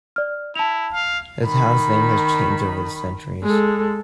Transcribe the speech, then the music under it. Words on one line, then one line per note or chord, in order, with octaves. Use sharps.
The town's name has changed over the centuries.
D5 F6
E4 A5 F7
F5
D#3 B5
G#3 A4